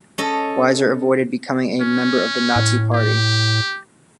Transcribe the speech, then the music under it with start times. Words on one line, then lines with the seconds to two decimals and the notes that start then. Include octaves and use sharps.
Weiser avoided becoming a member of the Nazi Party.
0.18 C#4 A4 D#5
1.82 C#4
2.56 A2
2.94 G4